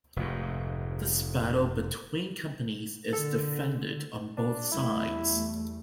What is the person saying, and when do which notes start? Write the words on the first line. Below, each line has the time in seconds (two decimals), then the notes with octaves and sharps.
This battle between companies is defended on both sides.
0.16 F1 G#2
3.13 D3 A4
4.37 D4
4.72 E2 G3 A3 E4